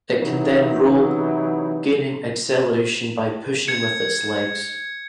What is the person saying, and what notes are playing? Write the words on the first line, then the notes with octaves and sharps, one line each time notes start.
It can then roll, gaining acceleration by pushing with its legs.
C3 E3 F#3 D#4 E4
G#6 C#7